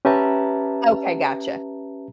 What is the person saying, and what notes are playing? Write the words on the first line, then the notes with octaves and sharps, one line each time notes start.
Okay, gotcha.
C#4 G4 B4 E5 A5 A#5